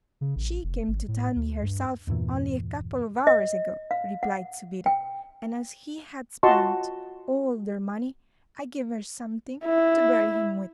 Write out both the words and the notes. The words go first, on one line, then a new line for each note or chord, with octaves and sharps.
She came to tell me herself only a couple of hours ago,' replied Subida, 'and as he had spent all their money, I gave her something to bury him with.'
C#3
A1
F1
G#1
A2
D2
G2
E2 G2 A#2 E3
D#5
F5
F#5
G5
F4 F#4 D#5 A5 C6 C#6
E4